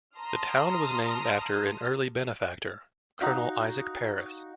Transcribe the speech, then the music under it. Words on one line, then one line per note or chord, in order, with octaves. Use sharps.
The town was named after an early benefactor, Colonel Isaac Paris.
A5 A#5 C6 D#6 F6
D#4 F#4 F5